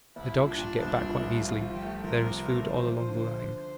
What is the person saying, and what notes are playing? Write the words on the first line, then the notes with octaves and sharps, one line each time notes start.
The dogs should get back quite easily; there is food all along the line.
C2 E4
A#2
D4
A#2
C2 D4
A#2
C2
F3 F4
F3
G4
A3
F3 A#4
C3
A#4
A3
F3 C5
F3
D3